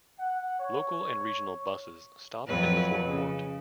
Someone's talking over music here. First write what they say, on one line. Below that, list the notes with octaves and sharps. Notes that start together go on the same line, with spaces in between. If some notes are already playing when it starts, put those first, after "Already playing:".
Local and regional buses stop in the forecourt.
F#5
C#5
F2 F#3 B4
C#3